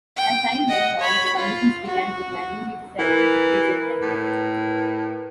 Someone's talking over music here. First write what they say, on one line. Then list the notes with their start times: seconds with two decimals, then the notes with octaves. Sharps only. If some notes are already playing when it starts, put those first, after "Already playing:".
As time went on, the conditions began declining due to several decades of neglect.
0.16 G5
0.68 D#5 F#5
0.99 C#5 B5
1.36 F4
1.86 F#4
2.99 E3 E4 A#4 B4
4.02 A2